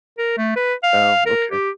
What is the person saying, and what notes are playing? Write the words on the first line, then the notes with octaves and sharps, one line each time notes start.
Oh, okay.
A#4
A3
B4
F5
A#4
G4